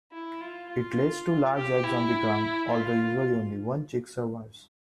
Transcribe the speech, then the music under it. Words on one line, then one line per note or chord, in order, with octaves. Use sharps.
It lays two large eggs on the ground, although usually only one chick survives.
E4
F4
F4
G4
E4
F4